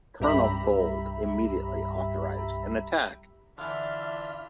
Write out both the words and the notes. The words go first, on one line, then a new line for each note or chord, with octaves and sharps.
Colonel Gold immediately authorised an attack.
C2 G2 G4 E5 A#5 B5
D3 E3 D4 F4 E5 F6